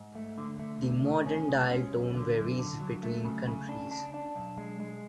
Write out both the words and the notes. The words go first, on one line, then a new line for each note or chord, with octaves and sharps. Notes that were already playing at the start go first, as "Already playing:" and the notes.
The modern dial tone varies between countries.
Already playing: G#2
A3
D3
A3
D2
A2
C#4
G#3
C#4
F#2
D3
F#2
D3
F#3
A3
C#3
C#3
D4
D4
D4
B1
G#3
G#3